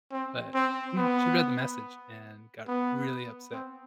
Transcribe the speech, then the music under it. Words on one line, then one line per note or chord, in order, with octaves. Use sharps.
but she she read the message, and got really upset.
C4
C4
B3
B3
C4